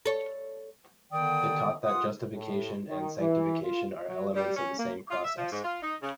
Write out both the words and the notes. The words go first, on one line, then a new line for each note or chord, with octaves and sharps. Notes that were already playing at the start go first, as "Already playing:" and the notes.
It taught that justification and sanctification are elements of the same process.
A4 C#5
D3 D#3 B3 D5 G5 D#6
F4 F#5 D#6
A2
D#3
E3
F4
F#3
G3
C#4
A#3
F4
E5
F3
G#2
F4
D#4
C#3